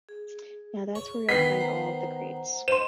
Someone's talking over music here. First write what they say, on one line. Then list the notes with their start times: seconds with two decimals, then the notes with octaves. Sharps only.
Now that's where you'll find all of the greats.
0.09 G#4
0.95 C#5
1.29 D#3 B3 B6 C7
1.60 C5 F#5 A#5
2.68 C5 D#5 C6 E7